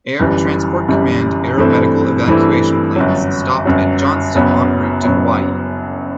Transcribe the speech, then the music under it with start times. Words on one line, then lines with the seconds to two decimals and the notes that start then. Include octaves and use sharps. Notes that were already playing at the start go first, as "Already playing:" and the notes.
Air Transport Command aeromedical evacuation planes stopped at Johnston en route to Hawaii.
0.20 G1 F#2 E3 G3
0.88 G1 F#2 E3 G3
1.58 G2 E3 A3 C4 E4
2.27 G2 E3 A3 C4 E4
2.96 G1 F#2 F#3
3.65 G1 F#2 F#3
4.35 F#1 F#2 F#3 B3
5.03 F#1 F#2 F#3 B3